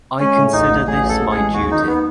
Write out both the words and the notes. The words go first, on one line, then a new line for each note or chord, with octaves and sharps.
I consider this my duty.
G#3 C#4
A2
A1 D#4
A1
A1 G#4
A1
A4
A1
G#4
G#3
D#2 F#4
D#3 D#4
B3